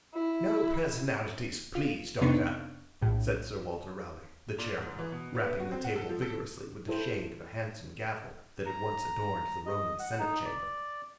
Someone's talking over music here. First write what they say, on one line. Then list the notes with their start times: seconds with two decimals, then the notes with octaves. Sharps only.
"No personalities, please, Doctor," said Sir Walter Raleigh, the chairman, rapping the table vigorously with the shade of a handsome gavel that had once adorned the Roman Senate-chamber.
0.14 E4
1.75 F4
2.21 F2 C3 B3 D4 D#4 C#6
3.02 A#1 A2
4.58 A#2
4.77 G#2
4.99 E3
5.12 B2
5.35 B3
5.47 B3
5.60 F#4
5.72 C4
5.84 F#5
5.96 A4
6.09 F3
6.22 A4
6.88 E4 A4 C5
8.66 A#5
9.66 D#5
9.99 F#5
10.19 D#4
10.45 D5